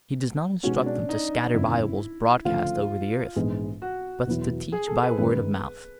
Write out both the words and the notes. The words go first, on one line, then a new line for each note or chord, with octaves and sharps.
He does not instruct them to scatter Bibles broadcast over the earth, but to teach by word of mouth.
B2 G#3 B3 C#4 D#4 F#4
D4
D#4
G1 F2 C#3 E4
D2 C#3 F3 A3 F4
A#1 G#2 E3 G#3 B3
F#4
E2 B2 F#3 B3 E4
G#4
A4
B4
G1 F#2 D#3 G#3 B4